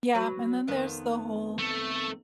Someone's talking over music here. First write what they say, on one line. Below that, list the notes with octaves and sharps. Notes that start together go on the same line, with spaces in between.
Yeah, and then there's the whole
F#3 B4
F2 D#3 B3
A3